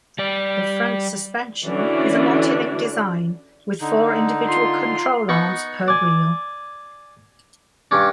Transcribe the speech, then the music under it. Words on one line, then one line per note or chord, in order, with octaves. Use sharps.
The front suspension is a multi-link design with four individual control arms per wheel.
G3 D5
D3 E3 C#4 D4 F#4 D5
D3 D#4
F4 C6
B3 D#4 B5 C#6
D5 G#5
G2 C#4 D4